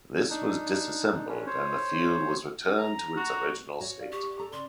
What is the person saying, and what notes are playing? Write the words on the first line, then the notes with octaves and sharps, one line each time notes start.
This was disassembled and the field was returned to its original state.
D4 D#4
C#4 D4
C5 C#5
A#5
F#4
F#4 C#5
D5 F5
G4 C#6
E4
A4 A#5
C#3 D5 C6